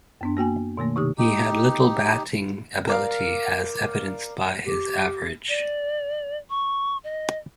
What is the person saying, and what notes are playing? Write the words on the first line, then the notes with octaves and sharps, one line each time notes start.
He had little batting ability, as evidenced by his average.
F#2 B3 D4
A#3 F#4 G5 G#5
B2 D#3 A3 A#3
C3 D#3 D#4 G4 D#6
D#4 G4
A#4 D5 F5
G4
D5
C#6
D#5